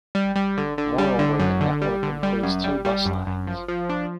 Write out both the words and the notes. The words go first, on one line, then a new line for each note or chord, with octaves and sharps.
Moreover, the network includes two bus lines.
G3
G3
D3
D3
G3
D3
F#2
D3
G3
D3
G3
F#2
G3
G3
F#2
F#2
F3
F3
D4